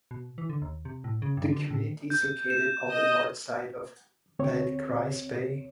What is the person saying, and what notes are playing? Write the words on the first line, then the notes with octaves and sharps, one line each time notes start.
The community is located on the north side of Bete Grise Bay.
B2
E3
D3
D#2
C3
A2
C#3
G2
D3
A2
G6
E7
D#5
D2 C4 C#5